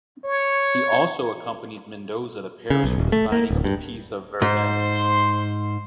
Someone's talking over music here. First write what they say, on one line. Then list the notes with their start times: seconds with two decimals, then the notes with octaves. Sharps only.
He also accompanied Mendoza to Paris for the signing of the Peace of Vervins.
0.24 C#5
2.70 C#3
2.84 B1
2.98 D#1
3.12 A3
3.32 A#3
3.50 D1
3.64 G2
4.42 G#2 C5 C6